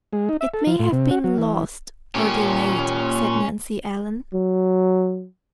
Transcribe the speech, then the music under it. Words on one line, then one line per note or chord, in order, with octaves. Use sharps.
"It may have been lost or delayed," said Nancy Ellen.
G#3
D#4
E5
A4
F3
A2
C3
F#4
F#3
E3
A#2 C#4 G4
F#3